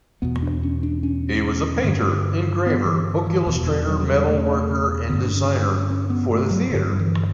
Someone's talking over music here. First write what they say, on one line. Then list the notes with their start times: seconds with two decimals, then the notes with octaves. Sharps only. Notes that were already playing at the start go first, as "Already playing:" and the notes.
He was a painter, engraver, book illustrator, metal worker, and designer for the theater.
0.22 E2 B2 B3
0.43 D4
0.63 C#4
0.83 D4
1.03 C#4
1.84 G2 D3
2.66 B3
2.85 E3
3.27 E3
3.46 E2 B2 E3
3.61 E3
3.67 D3
3.88 F#3
4.00 F#3
4.08 G3
4.28 A3
5.09 G2 D3 B3
5.24 D4
5.36 C#4
5.64 C#4
5.90 C#4
6.10 B3
6.31 A3
6.51 F#3
6.72 G2 D3
6.91 F#3
6.99 E3